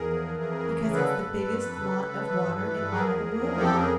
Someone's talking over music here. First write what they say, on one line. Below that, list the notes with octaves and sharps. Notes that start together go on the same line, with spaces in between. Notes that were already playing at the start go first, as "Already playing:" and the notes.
"Because it's the biggest lot of water in all the world."
Already playing: E2 G#4 A#4
F3
E3
F2
E3
C#3
D3 A4 B4
G2
G2
G2
F2
C#3
C#3
C#3
E3
G2
E3
G2
F3 G#4 A#4
E2
E2
F3
F2 G4 A4
C#3 G#4 A#4